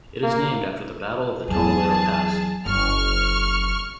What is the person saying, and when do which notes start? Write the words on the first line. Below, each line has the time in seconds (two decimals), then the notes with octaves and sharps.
It is named after the Battle of the Tonelero Pass.
0.23 A#3
1.48 E2 F#3 G#4 A5
2.66 F#1 C#6 F6